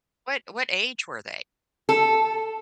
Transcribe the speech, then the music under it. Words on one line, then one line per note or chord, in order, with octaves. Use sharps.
What what age were they?
A4